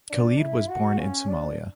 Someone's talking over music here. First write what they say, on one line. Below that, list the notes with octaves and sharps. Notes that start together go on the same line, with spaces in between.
Khalid was born in Somalia.
D4
E4
F#4
C#4
D4